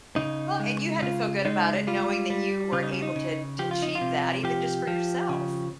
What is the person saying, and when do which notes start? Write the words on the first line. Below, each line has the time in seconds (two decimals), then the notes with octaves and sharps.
Well, and you had to feel good about it knowing that you were able to to achieve that even just for yourself.
0.16 C#3 D#4
0.60 G#3
1.02 C#3 F4
1.45 G#3 D#4
1.87 G3 F4
2.30 G3
2.73 C#3 F4
2.83 D#4
2.92 C#4
3.02 D#4
3.16 C#3
3.59 F3 G4
3.71 F4
3.82 D#4
3.95 F4
4.01 C3
4.44 F3 G4
4.87 F3
5.29 C#3